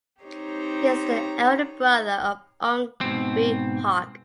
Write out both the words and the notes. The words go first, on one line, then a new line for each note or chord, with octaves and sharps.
He is the elder brother of Ong Ewe Hock.
C4 D#4 G4 C#5 A#5
G#2 B2 C4